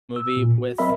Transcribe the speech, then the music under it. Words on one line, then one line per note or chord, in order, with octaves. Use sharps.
movie with,
E6
A#2
F#4
F#3 C4 A#4 D#5 E5 B5